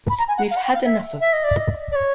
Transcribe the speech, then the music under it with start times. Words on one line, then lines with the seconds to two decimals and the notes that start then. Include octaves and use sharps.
We've had enough of it.
0.10 B5
0.18 A#5
0.28 G#5
0.38 F#5
0.51 F5
0.56 F#5
0.65 G5
0.74 F5
0.85 E5
1.21 E5
1.33 D#5
1.44 D5
1.57 D#5
1.92 D5
1.95 C#5